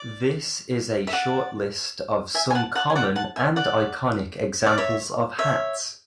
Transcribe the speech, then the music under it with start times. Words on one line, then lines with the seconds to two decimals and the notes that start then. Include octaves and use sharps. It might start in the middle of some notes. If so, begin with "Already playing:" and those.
This is a short list of some common and iconic examples of hats.
Already playing: D5
1.07 E5
1.13 D5 F#5
2.35 E5 G#5
2.50 G#5
2.55 F#5 A5
2.75 F#5 A5
2.90 G#5
2.95 D5 F#5
3.16 F#5 A5
3.36 E5 G#5
3.56 D5 F#5
4.66 D5
4.78 C#5 E5
5.39 C#5 E5